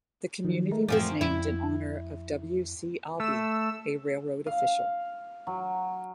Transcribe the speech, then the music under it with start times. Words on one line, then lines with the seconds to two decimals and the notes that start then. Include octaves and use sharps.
The community was named in honor of W. C. Albee, a railroad official.
0.45 D#3 F3 F#3
0.71 G#3 A3 A#4
0.88 F#2 F3 C4
1.21 F2 E4
3.20 A3 E6
4.46 F5
5.47 F#3